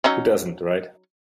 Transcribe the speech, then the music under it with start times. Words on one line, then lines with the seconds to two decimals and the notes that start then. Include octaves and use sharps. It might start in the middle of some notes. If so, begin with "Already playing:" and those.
Who doesn't, right?
0.04 F#3 C#4 D#4